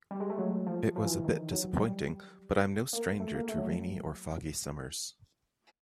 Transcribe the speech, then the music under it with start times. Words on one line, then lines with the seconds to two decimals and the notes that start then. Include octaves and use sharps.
It was a bit disappointing, but I am no stranger to rainy or foggy summers.
0.11 G3
0.20 G#3
0.30 A3
0.38 F#3
0.67 F3
0.96 F3
1.05 E3
1.24 D#3
1.52 F#3
1.80 G3
2.93 A#3
3.20 A3
3.35 A#3
3.49 A3
3.58 F#3